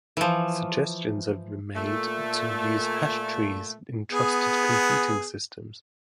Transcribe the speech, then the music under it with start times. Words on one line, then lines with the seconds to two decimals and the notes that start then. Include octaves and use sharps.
Suggestions have been made to use hash trees in trusted computing systems.
0.17 E3 F3
1.76 A#2 A3
4.12 B3 G#4